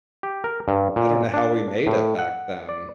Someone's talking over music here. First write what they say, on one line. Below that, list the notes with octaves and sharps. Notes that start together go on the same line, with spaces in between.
I don't know how we made it back then.
G4
A#4
G2
A#2
D4
A2
F#5
D5